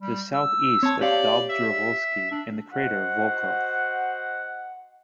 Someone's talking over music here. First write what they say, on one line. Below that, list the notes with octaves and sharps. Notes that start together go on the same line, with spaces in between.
To the southeast of Dobrovol'sky is the crater Volkov.
G3
E6
C4 C#5 A5
G4 C#5 D5 F5
E5
D4
F#4 C5 D#5 F#5